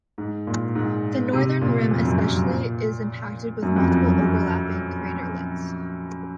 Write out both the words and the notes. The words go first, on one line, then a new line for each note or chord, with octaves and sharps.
The northern rim especially is impacted with multiple overlapping craterlets.
G#2
A#2
G#2
C3
A#2
F2
F#2
F#2
A#2
F#2
F2
F2
F#2
F#2